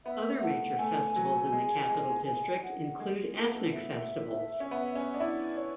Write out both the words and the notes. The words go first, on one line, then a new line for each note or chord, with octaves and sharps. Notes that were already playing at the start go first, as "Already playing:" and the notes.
Other major festivals in the Capital District include ethnic festivals.
B3 E5
A3 F#5
A3 G#5
F#3
G#3
G#3
G#5
F#5
G#3
A3
B3
A3
E5
C#4
B3
C#4
D4
E4 D5
C#5